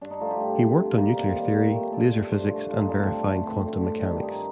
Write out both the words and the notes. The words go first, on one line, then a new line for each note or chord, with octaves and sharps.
He worked on nuclear theory, laser physics, and verifying quantum mechanics.
G2 D4
D#4
D3 F3 A3 F4
G4
G2
D3 F3 A3
C3
D#3 G3 A#3
C3 F4
D#3 G3 A#3
A#2 G4
A3
A#2 D5
A3
G2 C5
F3 A3
G2 F4
D#4
F3 A3 D4
C4
G2 D4
D3 A3
G2 C4
D3 A3
G2 D4
D#3 G3
G2 D#4